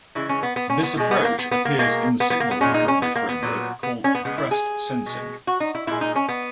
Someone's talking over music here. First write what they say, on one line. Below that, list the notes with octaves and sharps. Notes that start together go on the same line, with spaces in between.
This approach appears in the signal recovery framework called compressed sensing.
C#3 E3 G#3 E4
C#4
B3
B3
C#4
B3
B2 G#3
B3
A#3
B3
B3
A#3
B2 G#3 A#3
B3
B3
A#3
B3
A#2 G#3 C#4
D#4
C#4
B3
A#3
B3
A#2 F#3
B3
C#4
B3
C#3 G#3 B3
E4
G#4
B2 G#3
F#4
D#4
E4
A#2 G#3 E4
D#4
C#4
B3